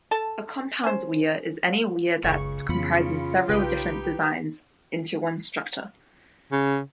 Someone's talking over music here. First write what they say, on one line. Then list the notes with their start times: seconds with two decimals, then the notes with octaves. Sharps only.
A compound weir is any weir that comprises several different designs into one structure.
0.11 A4 A5
0.84 C#4 C5
2.24 F#1 C#2 C#3 C#6
2.69 F2 C#3 E3 B3 F4 B5 C#7
3.49 B1 C#3 D#4 G4 B4 G5
6.52 C#3